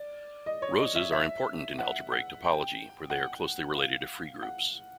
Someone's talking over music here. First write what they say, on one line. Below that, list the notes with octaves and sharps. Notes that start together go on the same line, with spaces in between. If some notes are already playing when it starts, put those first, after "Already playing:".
Roses are important in algebraic topology, where they are closely related to free groups.
Already playing: D5
D#5
C#5
D#5
E5
E5
F#5
F#5
G5
F#5
F5
F#5